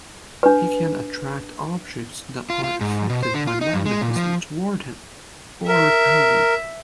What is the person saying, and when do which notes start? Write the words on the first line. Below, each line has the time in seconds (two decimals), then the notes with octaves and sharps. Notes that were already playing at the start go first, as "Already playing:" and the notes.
He can attract objects that are affected by magnetism toward him or repel them.
0.43 D4 B4
2.50 F4
2.64 F4
2.81 G#2
3.09 B2
3.23 C5
3.34 D3
3.47 F4
3.61 D#4
3.74 G2
3.86 G#3
4.02 A#2
4.16 F3
5.68 A#4 E5